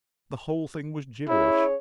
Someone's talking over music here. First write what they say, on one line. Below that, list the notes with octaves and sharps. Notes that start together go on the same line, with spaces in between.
The whole thing was gibberish!
C#4 E4 G#4 C#5